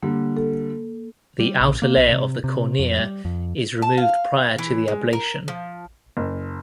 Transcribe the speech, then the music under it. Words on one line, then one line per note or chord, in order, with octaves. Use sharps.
The outer layer of the cornea is removed prior to the ablation.
D3 G3 A#3
A4
G3
A#1
A#3
B1
C3
C3
F2
G3
F2
A5
F5
E3
G#3
A#4
F3
F#1